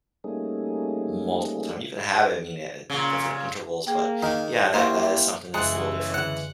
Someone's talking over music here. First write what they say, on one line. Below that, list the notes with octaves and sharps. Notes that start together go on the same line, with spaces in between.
multiple times. You can have it, I mean, at different intervals, but, yeah, that that is something that's a little different.
G3 A3 A#3 C#4 D#4 G#4
A#2 C#3
A#3 G#4 G5
D#3
A#3 E4 F#4 G4 C5 D#5
F#2 C#3 E3 G#3 F#5 D#6 F#6
D3 F#5